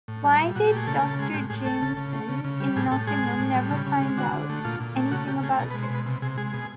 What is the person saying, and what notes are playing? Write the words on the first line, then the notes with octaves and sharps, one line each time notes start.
Why did Dr. Jameson in Nottingham never find out anything about it?
A2
G3
A#2
A#2 F#4
G4
A3 G#4
C#3 A4
A#4
C#3
A4
G#3 G#4
A2 G4
A2 G#4
A3 A4
C#3
C#3
A3
C#3
C#3
G3
A2 G#4
A2 A4
G#3 G#4
A2
A2
G3
C#3
C#3
G#3
D3 F#4
D3
A3
A#2 F4
A#2
A3
C#3 F#4
C#3 G4
A3 G#4
B2 A#4
B4
G#3
C5
B2 B4
C3
C3 G#4
G#3 G#4
B2 G#4